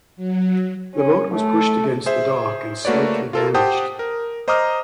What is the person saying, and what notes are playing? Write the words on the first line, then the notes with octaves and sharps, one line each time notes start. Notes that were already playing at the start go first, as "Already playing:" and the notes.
The boat was pushed against the dock and slightly damaged.
F#3
C#4
A3
G#4 C5 E5
A3 A#3 F#4 B4 C#5 D5
F4 A4 A#4
G4 C5 F#5 G5 A5 D#6
A#4
C5 D#5 A#5 D6 D#6 F6